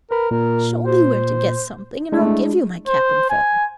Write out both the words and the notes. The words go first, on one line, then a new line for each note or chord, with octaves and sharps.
"Show me where to get something, and I'll give you my cap and feather."
A#4 B4 B5
A#2 A#4
C5
G#3 A3 D4 E4
C5
G#5